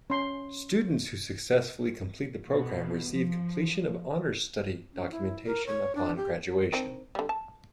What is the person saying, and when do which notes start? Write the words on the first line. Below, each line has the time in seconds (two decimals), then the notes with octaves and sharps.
Students who successfully complete the program receive Completion of Honors Study documentation upon graduation.
0.10 C#4 C6
2.48 B2
3.12 F3
4.94 C#4
5.11 E4
5.46 A#4
5.66 C#5
5.95 D4
6.17 G4
6.73 D#3 C4 D4
7.15 D3 G3
7.29 A5